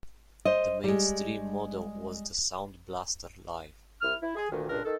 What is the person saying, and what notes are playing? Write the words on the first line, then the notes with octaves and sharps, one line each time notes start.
The mainstream model was the Sound Blaster Live!
C5 D#5
G3 G#3
C2 E4 F6
E4
G#4
D2 A#2 D#3
C#2 G2 A#2 D4 A#4
D#3 A4